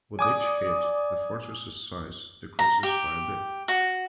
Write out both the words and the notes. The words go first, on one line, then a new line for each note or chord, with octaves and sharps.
With each hit the fortress' size decreases by a bit.
D5 G#5 D6 D#6
A#5
G4
F#4